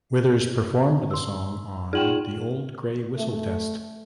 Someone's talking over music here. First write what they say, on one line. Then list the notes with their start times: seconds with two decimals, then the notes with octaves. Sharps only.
Withers performed the song on "The Old Grey Whistle Test".
1.11 C6 E6
1.93 D#4 F4 G#4 F#5 G5 F#7
3.18 A3